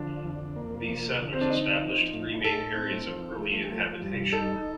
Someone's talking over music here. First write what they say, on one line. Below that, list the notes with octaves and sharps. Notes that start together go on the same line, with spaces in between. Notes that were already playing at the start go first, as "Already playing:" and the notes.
These settlers established three main areas of early inhabitation.
Already playing: D3 F3 D4
F2
A#3
F3
D3
C4
D4
C4 D#4
F3
A2
A2 A4
C4
F3
A3
F3
G2
D#4 A4